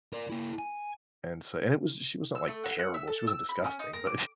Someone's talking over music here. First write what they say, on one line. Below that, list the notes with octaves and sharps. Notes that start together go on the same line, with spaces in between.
And, so and it was she wasn't, like, terrible. She wasn't disgusting, but,
A#4 D5
A#3 E4
G#5
E6
A3
F#5
F#5
E5
A4
E6
B5
C#4
D#4
A#4
D6